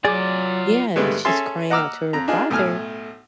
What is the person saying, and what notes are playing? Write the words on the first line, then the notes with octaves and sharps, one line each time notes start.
yeah, that she's crying out to her father
F#3 F4 G#4 D5 G#5 D6
G2 D3 G#3 A3 B3
C#4 G#4 A4 E5 A5 C6
D#5 F#5 A#5 D6 E6 F6
F2 A#5
D4 D#4 F4 G#4
B1 A2 A3 G#5 F6